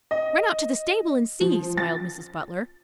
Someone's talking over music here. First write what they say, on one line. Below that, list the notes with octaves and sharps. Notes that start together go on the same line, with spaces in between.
"Run out to the stable and see," smiled Mrs. Butler.
D#5
F3
A6